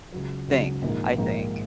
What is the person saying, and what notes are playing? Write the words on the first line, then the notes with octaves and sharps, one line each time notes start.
thing, I think.
C#2 C#3 F#3
C#2 C#3 F#3
A#1 G#2 D#3 A#3 D#4
A#1 G#2 D#3 A#3 D#4